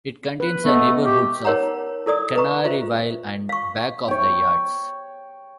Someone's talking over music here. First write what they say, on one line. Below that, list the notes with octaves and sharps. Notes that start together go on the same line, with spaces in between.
It contains the neighborhoods of Canaryville and Back of the Yards.
B4
A3 B3 D#5
G4
D#4 A#4 C#5 F#5 A#5
E4 A4 D5 D#6
B4 D#5 A#5 C#6
F4 C5 E5
F5 C#6
C#5 G5